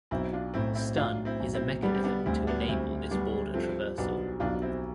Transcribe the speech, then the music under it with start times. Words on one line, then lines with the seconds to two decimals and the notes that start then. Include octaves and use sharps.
Stun is a mechanism to enable this border traversal.
0.11 B1 C4 E4
0.33 D4 F4
0.54 A2 C4 E4
0.75 C4 E4
0.97 A2 D4 F4
1.25 C4 E4
1.40 B1
1.54 C4 E4
1.82 G3 B3 D4
1.95 C4
2.04 B3 D4
2.26 D2 C4 E4
2.47 B3 D4
2.68 D2 C4 E4
3.11 G3 B3 D4
3.54 F3 A3 C4
3.98 B1 B3 D4
4.40 B1 D4 F4
4.62 C4 E4